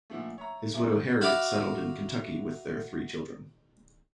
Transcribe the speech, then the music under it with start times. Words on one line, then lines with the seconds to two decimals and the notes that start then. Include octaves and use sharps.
His widow Harriet settled in Kentucky with their three children.
0.10 A#2 D3 F3 A3
0.38 C#5 E5 A#5
0.74 F#2 C3 F3 A#3 E4
1.21 F#4 E5 F5 B5 D6